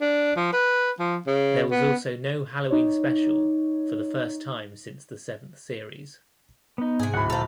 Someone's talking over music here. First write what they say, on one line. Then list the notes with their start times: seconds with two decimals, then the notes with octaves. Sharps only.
There was also no Halloween Special for the first time since the seventh series.
0.01 D4
0.36 F3
0.53 B4
0.99 F3
1.27 C#3
1.71 B3
2.70 D#4 C#5
6.78 B3 D#4
6.99 G#2 C3 G#4
7.14 D1 F#5 B5
7.30 A#2 F3 A4 A#5